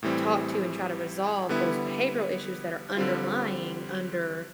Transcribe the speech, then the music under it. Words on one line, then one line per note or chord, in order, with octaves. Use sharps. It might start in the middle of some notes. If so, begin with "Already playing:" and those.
talk to and try to resolve those behavioral issues that are underlying under,
A2 E3 G3 C4
D3 G3 B3 E4
D3 G3 C4 F4